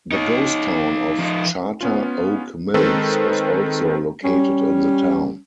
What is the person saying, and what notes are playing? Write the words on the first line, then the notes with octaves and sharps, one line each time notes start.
The ghost town of Charter Oak Mills was also located in the town.
D#4 C#5
F3 D#4
B3 C#4 F4
D#3 G#3 C4 A4 B4 C5
G3 C#4